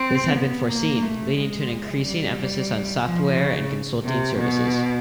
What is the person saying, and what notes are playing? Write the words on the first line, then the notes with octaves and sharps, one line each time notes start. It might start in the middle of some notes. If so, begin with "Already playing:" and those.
This had been foreseen, leading to an increasing emphasis on software and consulting services.
Already playing: C4
B3
A#3
A3
G#3
G3
F3
C#3
C3
B2